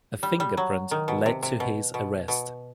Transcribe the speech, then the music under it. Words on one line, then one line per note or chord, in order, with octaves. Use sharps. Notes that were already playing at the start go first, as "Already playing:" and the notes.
A fingerprint led to his arrest.
G3
G3
F#3
D#3
B2
C3
C3
B2
B2
B2